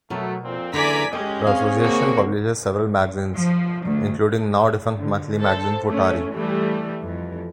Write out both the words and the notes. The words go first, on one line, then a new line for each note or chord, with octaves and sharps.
The association publishes several magazines, including now-defunct monthly magazine "Futari".
B2 F#3 A3 A#4
F2 A#2 C4
F#1 D3 E3 D5 G#5 A#5 B6
G#3 C#4 G4 D#5
C4 G#4 C#5 F5
D3 A#3 F#4
F3
D2
D3
A4 C5
A3 C#4
E3 G3 A3
F2 E3